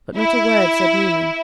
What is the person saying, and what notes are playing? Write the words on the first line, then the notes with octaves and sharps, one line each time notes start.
But not a word said Newman.
E4